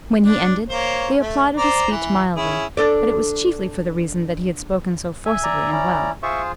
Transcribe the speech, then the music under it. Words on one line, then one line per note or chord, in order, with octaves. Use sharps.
When he ended they applauded his speech mildly; but it was chiefly for the reason that he had spoken so forcibly and well.
D4
A#3 C5 C#5
A3
C5 D5 A#5
E3
C#4 E4 G#4
D4 A4 D5
E5 G#5
D5 A#5
C#4 E4
F4 G#4 C5 E5 C#6